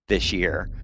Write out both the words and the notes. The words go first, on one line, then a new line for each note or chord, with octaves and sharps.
this year,
A1
E2
F#1
F2
D1